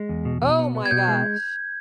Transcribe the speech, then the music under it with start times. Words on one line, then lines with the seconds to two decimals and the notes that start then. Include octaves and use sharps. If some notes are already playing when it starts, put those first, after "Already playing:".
Oh my gosh.
Already playing: G#3
0.09 E2
0.25 B2
0.42 B2
0.59 B3
0.75 B3
0.86 G#6
0.91 B2 G6
1.08 G#3